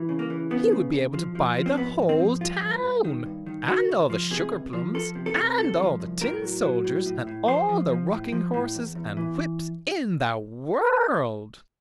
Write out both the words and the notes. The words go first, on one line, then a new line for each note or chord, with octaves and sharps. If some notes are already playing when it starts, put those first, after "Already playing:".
He would be able to buy the whole town, and all the sugar-plums, and all the tin soldiers, and all the rocking-horses and whips in the world.
Already playing: E3
C#3
A#3
E3
C#3 B3
C#3
D#2
F3
F3
F3
C4
G#2 B3
G#2
C4
F3
G2 F4
G2
G2
D#3
G2
D#3
C#2 F#4
C#2
F3
C3 G#4
C#2
F3
F3 A4
C3
A4
C3
C2 A4
F3
C2
A2 A#4
F#3
F#3
A2
A2
A2
F3 C5
F3
F3
A2
F3
A2
E2
E2
E3